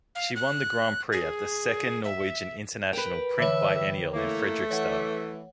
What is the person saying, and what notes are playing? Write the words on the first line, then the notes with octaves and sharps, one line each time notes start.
She won the Grand Prix at the second Norwegian International Print Biennale in Fredrikstad.
F5
F#6
G#4
E5
A#4 B4 G5
D3 E3 C#5 E5
A3 A#3 E4
E3 C#5 F#5